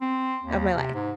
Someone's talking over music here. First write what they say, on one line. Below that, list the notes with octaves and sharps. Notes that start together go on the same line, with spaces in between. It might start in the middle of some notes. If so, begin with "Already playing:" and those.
of my life."
C4
D#2
C3
G#2